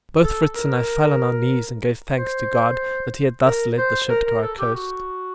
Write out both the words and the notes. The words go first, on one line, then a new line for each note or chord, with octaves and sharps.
Both Fritz and I fell on our knees and gave thanks to God that He had thus led the ship to our coast.
A4
A#4
C5
A#4
C5
A#4
A#4
A4
G4
F#4